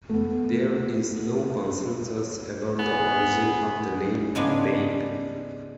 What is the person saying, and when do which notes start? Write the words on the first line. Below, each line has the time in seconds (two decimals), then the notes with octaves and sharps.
There is no consensus about the origin of the name "Babe".
0.09 A3 B3
2.79 B3 G#4
4.35 G#2 C#3 G#3 B3 C#4 D4